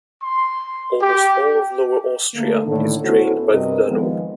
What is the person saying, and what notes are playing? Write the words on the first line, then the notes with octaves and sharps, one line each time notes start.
Almost all of Lower Austria is drained by the Danube.
C6
G4
D3 A3 A#3
A2 D3 D#3
B3 C#4 E4 F#4 A4 C5
G2 C3 C4 A#4 B4 D#5
D#3 F3 G#3 B3